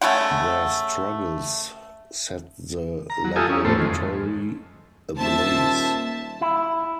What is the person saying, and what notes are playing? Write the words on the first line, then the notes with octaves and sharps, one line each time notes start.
Their struggles set the laboratory ablaze.
C#3 A3 E4 F#5
A#5
F#3
F4 G4 A4 E5 G#5 D#6
C#4 E4
F2 A2 A3 B3 A4 C5
F2 D#3 G#3
D#1 C5 E5 A5
E4